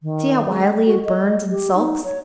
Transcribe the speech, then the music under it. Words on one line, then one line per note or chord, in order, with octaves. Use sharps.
See how wildly it burns and sulks.
D#3
G#3
F#4
D#5
G4
D#4
C#5